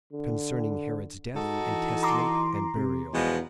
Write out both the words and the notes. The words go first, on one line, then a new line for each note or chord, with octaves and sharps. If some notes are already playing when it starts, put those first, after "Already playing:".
Concerning Herod's Death, And Testament, And Burial.
D3
G#2 D#4 F#4 A4
E3
A#5 C6 D6
C3
E2 B2 F3 G#3